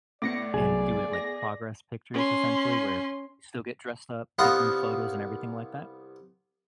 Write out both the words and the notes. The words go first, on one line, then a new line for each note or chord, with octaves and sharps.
and do it, like, progress pictures essentially where we still get dressed up, take new photos, and everything like that.
A2 B3 D5 D6 A#6 C#7
C2 F#3 G#4
A#6
C#4 C6
C2 B3 F4 D#5 F#5 A#5